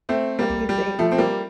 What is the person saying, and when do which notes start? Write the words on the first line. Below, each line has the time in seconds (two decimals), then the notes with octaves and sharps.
What do you think?
0.09 A3 C4
0.39 G3 A#3
0.69 G3
0.99 F3 A3
1.12 C4
1.18 G3 A#3